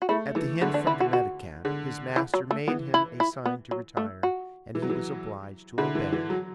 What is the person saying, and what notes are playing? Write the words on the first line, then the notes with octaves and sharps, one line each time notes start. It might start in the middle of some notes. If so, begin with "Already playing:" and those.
At the hint from the mendicant his master made him a sign to retire, and he was obliged to obey.
F#4
A3 E4
E3 A3
D3 B3
D4
E4
F#4
F#4
D3
E3
F#3
A3
E3 B3
E4
E4
B3
F#3
A3
F#4
E3
F#3
E3
D3 E4
E3
E3
F#3